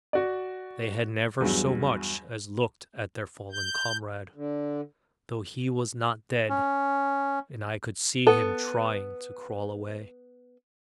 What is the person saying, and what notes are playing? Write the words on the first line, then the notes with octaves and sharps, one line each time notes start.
They had never so much as looked at their fallen comrade, though he was not dead, and I could see him trying to crawl away.
F#4 D5
E2 G2 F#3
G6
D3
C#4
B3 A4